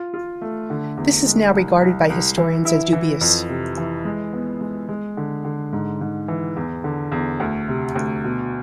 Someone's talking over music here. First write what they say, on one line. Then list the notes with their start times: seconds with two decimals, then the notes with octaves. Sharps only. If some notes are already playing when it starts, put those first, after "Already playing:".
This is now regarded by historians as dubious.
Already playing: F4
0.14 F4
0.42 A3
0.70 D3
0.97 E2
1.26 G#3
1.54 C2
1.81 C2
2.10 C2
2.38 E3
2.65 E4
2.93 E3
3.21 F2
3.49 C3
3.77 E3
4.05 G#3
4.33 B3
4.61 G#3
4.89 G#3
5.17 D3
5.45 D3
5.73 G#2
6.01 G#2
6.28 E3
6.56 E2
6.84 D3
7.12 E2
7.40 D2
7.68 C3
7.95 D2
8.24 B2